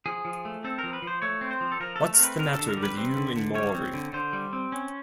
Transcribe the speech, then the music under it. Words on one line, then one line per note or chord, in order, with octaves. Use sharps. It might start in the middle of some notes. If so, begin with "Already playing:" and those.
What's the matter with you and Maury?
F3 G#4
F3
A3
C4 A4
A#4
F3
B4
F3
C5
A3 C#5
C4
C5
F3
A4
F3 A#4
A3 A4
A#4
C4 B4
D3 A#4
D3 A4
A#4
G3
B4
C4
D3
D3
G3 C#5
C4
D3
D3 C5
G3
C4
C#4